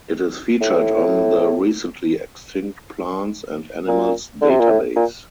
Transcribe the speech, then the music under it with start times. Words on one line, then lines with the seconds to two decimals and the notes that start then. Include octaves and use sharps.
It is featured on The Recently Extinct Plants and Animals Database.
0.61 A2
3.88 A#2
4.41 D3
4.50 C3
4.60 A#2
4.70 A2
4.96 A#2